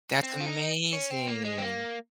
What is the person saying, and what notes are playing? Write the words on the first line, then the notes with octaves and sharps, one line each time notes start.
That's amazing.
C4
F4
D#4
C#4
C4
A#3
G#3
C4
A#3